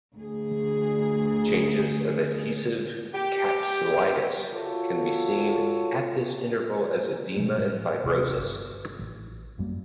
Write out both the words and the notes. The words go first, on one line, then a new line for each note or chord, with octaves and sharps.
Changes of adhesive capsulitis can be seen at this interval as edema and fibrosis.
D2 G#4
G4
F4 F#4 A4 C#5
B2 F3 G#3 A3
A2 G3
D#1 A1 C3
G1
A1
G1 F#2 G3 A#3